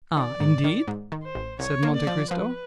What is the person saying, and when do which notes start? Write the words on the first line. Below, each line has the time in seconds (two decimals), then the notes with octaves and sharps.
"Ah, indeed?" said Monte Cristo.
0.16 D#3 D5
0.40 G#2
0.64 D#3
0.87 G#2
1.12 D#3
1.23 C5
1.35 A1
1.59 C2 C#5
1.83 A#3
1.95 D5
2.07 F3
2.31 F3 B4